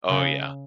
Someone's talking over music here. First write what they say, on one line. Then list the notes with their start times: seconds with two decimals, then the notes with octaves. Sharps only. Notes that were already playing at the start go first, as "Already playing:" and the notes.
Oh, yeah.
0.09 C#3